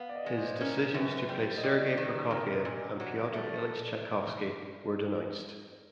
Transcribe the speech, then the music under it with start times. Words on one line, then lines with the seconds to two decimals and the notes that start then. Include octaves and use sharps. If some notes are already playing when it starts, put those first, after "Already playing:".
His decisions to play Sergei Prokofiev and Pyotr Ilyich Tchaikovsky were denounced.
Already playing: B3 F5
0.09 D5
0.15 D#5
0.26 G#3
0.37 C5
0.61 C#4 A#4
0.94 F#2 B4
1.18 B4
1.29 G3 C5
1.58 D#5
1.63 G3 D5
1.97 D#3
2.31 C3 A#4
2.65 A#2
3.00 F#3
3.34 A3